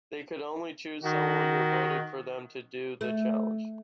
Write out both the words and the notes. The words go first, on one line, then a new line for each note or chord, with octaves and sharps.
They could only chose someone who voted for them to do the challenge.
D#3 F#4
A3